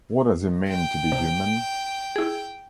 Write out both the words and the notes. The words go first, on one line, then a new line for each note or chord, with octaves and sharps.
What does it mean to be human?
G5
C3
E4 G#4